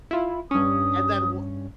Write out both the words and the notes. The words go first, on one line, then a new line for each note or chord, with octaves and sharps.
and then w
E4 F4
G2 C#4 D#6